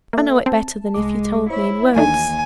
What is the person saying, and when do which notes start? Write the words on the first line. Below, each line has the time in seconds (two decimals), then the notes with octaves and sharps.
I know it better than if you told me in words.
0.13 A#3 A4 E5
0.46 C4 A5
0.94 C2 G#3 G#4 D6
1.50 E4 C5 C#5
1.96 D#2 E3 A3 D4 D#4 G#5